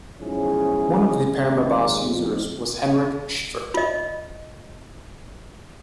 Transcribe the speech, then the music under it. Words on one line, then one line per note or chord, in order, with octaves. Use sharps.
One of the Permobas users was Henrik Schyffert.
B1 G#2 F3 C#4 E4 G#4
D#2 G#2
F2
F4 D#5